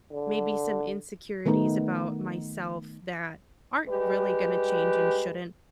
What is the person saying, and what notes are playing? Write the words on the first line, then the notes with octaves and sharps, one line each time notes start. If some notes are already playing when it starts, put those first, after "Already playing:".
maybe some insecurities about myself that aren't really gonna change and shouldn't,
D3
D#3 A3 B3 D#4
G3 G#3 G4 B4